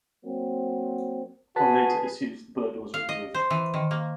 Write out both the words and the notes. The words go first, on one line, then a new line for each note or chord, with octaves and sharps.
On later issues the bird was removed.
F#3 A#3 C4
F#4 G#4 B4 A5 B6
F5
D#5
C5
E3
D#3
A#3